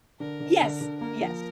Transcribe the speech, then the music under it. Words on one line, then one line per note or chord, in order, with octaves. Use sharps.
Yes. Yes.
D3 A#4
D3
D3
D3
A#3 A#4
F3